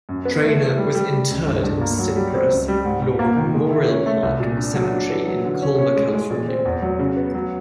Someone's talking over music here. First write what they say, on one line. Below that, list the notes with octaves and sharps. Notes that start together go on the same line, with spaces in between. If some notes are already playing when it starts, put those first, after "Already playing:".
Traina was interred in Cypress Lawn Memorial Park cemetery in Colma, California.
F#2
B3
A3
E3
G3
G3
G3
C#2
G2
G2
A#3
F#3
G3
C4
C#2
G3
G#2
G#2
A#3
D#3
G#3
E4
C#4
A3
C2
A#2
D4
F#3
D4
E3
F#3
D3
C#4
C#4
G#3
G#3
A#2
C4
E2
F#3
C#3
B3
F#3